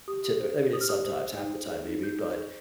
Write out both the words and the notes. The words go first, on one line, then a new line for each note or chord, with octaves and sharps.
typi I mean, it's sometimes, half the time maybe, but,
G4 D#6
G4
C5
C5
G4 D#6
F6
G4 D#6
C5
C5
D#4
C5
G#4
D#4
D#4 G6
C5
G#4